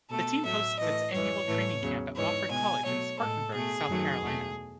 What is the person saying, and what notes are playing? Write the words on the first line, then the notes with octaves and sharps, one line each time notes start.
The team hosts its annual training camp at Wofford College in Spartanburg, South Carolina.
B2 A3 A4
A2 F#3 A3 E5
A2 E3 A3 D#5
F#2 E3 G#3 C#5
A2 E3 A3
E2 C#3 F#3
G#2 E3 G#3 C#5
B2 G#3 G#5
B2 F#3 A3 C#5
A2 G#3 A4
B2 A3 G#4
F#2 D#3 F#3 A3
E2 B2 A3